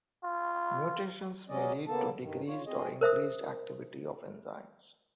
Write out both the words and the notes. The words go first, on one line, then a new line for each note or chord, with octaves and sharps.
Mutations may lead to decreased or increased activity of enzymes.
F4
F#3 G#3 C#4 D5 D#5
C#3 A#3 B3 A4 A5
G2 D#3
F4 C#5
C4 G#4 D#5
A#4 C5 E5 D#6